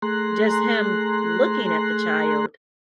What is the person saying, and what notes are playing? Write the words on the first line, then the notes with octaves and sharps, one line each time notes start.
Just him looking at the child
A3 G#4 A#5 C6 F#6